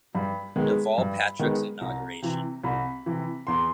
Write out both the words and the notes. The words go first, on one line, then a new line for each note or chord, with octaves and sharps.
Deval Patrick's inauguration.
G2 B5
D#3 G#3 B3
G2
D#3 G#3 B3
C2 A#5
C3 E3
C2 B5
C3 E3
E2 C6